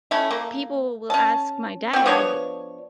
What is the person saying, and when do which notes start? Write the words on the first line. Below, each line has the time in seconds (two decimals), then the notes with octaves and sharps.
people will ask my dad
0.11 A3 C#4 E4
0.31 A#3
1.10 C#4 A5
1.93 C4 F#4
2.06 F3 B3 D4 C#5